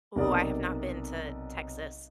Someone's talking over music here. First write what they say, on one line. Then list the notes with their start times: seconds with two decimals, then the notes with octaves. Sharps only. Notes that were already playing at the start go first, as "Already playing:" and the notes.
Ooh, I have not been to Texas.
0.16 B1 C3 A#4 D5 A#5 D#6